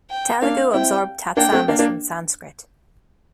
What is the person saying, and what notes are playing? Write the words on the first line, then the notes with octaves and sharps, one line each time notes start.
Telugu absorbed "tatsama"s from Sanskrit.
G5
A#3 D4 F5
C4 E4 G5
A#3 D4 G5
A3 C4
A#3 D4
A#3 D4